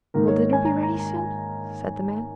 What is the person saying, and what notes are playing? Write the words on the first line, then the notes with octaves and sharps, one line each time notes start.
"Will dinner be ready soon?" said the man.
G#2 D#3 A#3 D#4 A#4
C#5
G#5
A#5
A#5
A#5
G#5